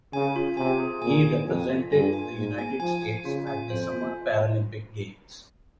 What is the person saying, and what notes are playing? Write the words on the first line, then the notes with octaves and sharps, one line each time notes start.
He represented the United States at the Summer Paralympic Games.
C#3 G#5
F4
C3 G#5
G#4
A#2 G#5
G#5
F2 G#5
F4
G2 G#5
G#5
G#2 G#5
G#5
F3 G#5
G#5
C#3 F4
G#5
F2 C5
F4